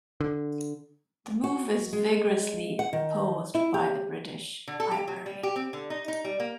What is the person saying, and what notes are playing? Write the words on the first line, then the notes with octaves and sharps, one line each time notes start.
The move is vigorously opposed by the British Library.
D3
F#4
G#3
F#5
D#3
E4
G4
D3
A4
G4
F#3
G3
G4
C4
D3
D#4
D#4
G3
A#3